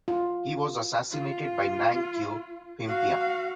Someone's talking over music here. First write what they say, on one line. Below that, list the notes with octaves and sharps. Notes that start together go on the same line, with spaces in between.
He was assassinated by Nang Keo Phimpha.
F4
F4
F#4 F5